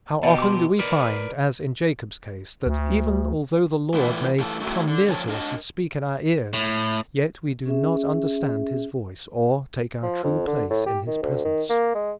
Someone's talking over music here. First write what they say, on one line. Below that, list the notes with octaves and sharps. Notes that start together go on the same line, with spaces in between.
How often do we find, as in Jacob's case, that even although the Lord may come near to us and speak in our ears, yet we do not understand his voice or take our true place in his presence.
B2 G4 D#5 G5
C6 D6
A#4 B4 D5
D2
A2 E3 D4 E4 F4 B4
F#2 E3 A3 F4 A5
F#2 A2 F#3 A3
D3
D3 F3 A#4 C#5 G5 A5
D4 A#4 D#5 A5
A2
C#4 G#4 E5
F3
F2
D3
A2
G4
D#3
D2
D#3
A#3
G#3